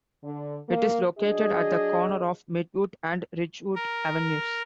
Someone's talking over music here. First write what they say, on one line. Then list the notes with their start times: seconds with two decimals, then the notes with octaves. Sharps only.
It is located at the corner of Midwood and Ridgewood Avenues.
0.23 D3
0.69 A#3
1.19 F#3 D4 G#4 D#5
3.75 A#4